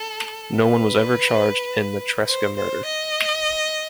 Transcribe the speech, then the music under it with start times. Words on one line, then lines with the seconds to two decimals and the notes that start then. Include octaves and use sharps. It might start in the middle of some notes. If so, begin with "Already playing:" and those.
No one was ever charged in the Tresca murder.
Already playing: A4
0.56 B4
2.28 C5
2.57 C5
2.85 D#5